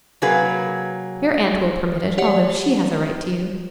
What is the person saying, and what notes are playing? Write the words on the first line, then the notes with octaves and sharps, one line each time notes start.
Your aunt will permit it, although she has a right to you.
C3 F#3 A#3 G#4 B4
G4 C#5 D5 F#5 C#7